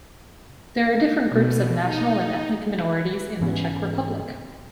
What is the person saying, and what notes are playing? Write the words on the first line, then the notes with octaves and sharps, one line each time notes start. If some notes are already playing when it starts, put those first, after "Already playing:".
There are different groups of national and ethnic minorities in the Czech Republic.
B2
D#4
G#2 E3 B3 C#4